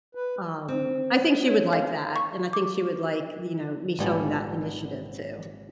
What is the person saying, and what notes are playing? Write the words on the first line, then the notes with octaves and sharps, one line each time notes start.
um, I think she would like that, and I think she would like, you know, me showing that initiative too,
B4
C4
C#5
F5
C#6
D6
G#1 A#2 G3 B3 G#5 A5